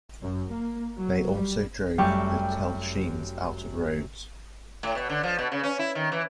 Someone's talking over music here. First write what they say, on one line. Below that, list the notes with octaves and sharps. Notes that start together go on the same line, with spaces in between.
They also drove the Telchines out of Rhodes.
F#2
A#3
F#3
G3
F#2 G3 A3 G4 G5 C#6
A2
B2
D3
F3
B2
C#3
C#4
E4
D#3
E3